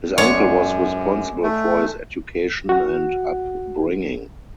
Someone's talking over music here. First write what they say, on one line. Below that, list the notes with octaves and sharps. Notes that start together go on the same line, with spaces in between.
His uncle was responsible for his education and up bringing.
F#2 D3 G#3 C#5 C#6
A3
F#4 F#5